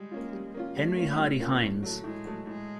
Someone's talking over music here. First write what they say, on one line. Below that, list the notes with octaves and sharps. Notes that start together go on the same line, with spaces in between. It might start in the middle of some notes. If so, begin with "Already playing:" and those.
Henry Hardy Heins.
Already playing: G3 G#3
A#3 C#4 F4
G3
A#3 C#4 F4
G3 A3
A#3 C#4 F4
G3
A#3 C#4 F4
A2
F#3 A3
A2 G#3
F#3 A3
A2 G#3